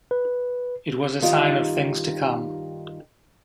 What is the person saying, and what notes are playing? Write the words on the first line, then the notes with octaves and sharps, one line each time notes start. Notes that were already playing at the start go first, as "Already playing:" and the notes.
It was a sign of things to come.
B4
G2 D#3 D#4 F4 G4